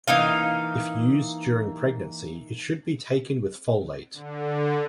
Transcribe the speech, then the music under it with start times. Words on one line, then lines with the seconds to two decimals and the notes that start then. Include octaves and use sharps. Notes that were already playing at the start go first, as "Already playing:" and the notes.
If used during pregnancy it should be taken with folate.
0.08 E3 A#3 D#4 F5
4.13 D3